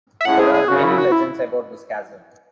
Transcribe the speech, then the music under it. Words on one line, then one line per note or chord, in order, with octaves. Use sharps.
There are many legends about this castle.
E5
A2 G#3 C#4 E4 F#5
G#4
G#4
G#1 F#2 C#3 F#4
E4
F#4
E4